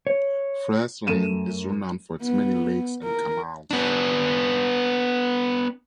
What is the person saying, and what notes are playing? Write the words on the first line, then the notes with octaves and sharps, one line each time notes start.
Friesland is renowned for its many lakes and canals.
C#5
F#2 A3 D#7 E7
B3
A#4
B3 D4